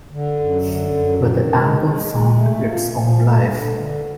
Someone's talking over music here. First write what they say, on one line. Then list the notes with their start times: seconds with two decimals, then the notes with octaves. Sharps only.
But the album found its own life.
0.11 D3
0.40 F#2
0.67 D3
0.96 F#2
1.24 D#3
1.51 G#3
1.80 G#3
2.08 G#3
2.36 A3
2.64 F3
2.93 F3
3.21 A3
3.49 D3
3.76 D3